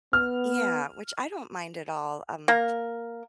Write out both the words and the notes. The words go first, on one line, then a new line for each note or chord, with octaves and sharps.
Yeah, which I don't mind at all, um,
B3 F6
A#3 A#4